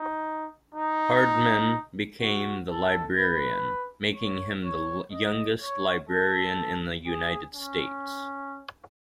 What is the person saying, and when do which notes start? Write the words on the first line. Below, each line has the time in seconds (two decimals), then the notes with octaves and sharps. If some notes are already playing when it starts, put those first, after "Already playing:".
Hardman became the librarian, making him the youngest librarian in the United States.
Already playing: D#4
0.74 D#4
2.21 F#4
2.70 A4
3.18 B4
4.15 C#5
4.64 C#5
5.12 D#5
5.61 C#5
6.09 A4
7.07 G#4
7.55 C#4